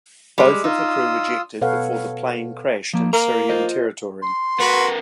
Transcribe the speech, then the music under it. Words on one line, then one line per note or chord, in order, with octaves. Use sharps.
Both of the crew ejected before the plane crashed in Syrian territory.
G3 G#3
D#4 F4 D#6 E6
B2 A4 B4 C#5 F5 F#5
F3 A#3
A#3 A#4 A#5
F4 C5 D#5
C6
B3 F#4 A#4 B4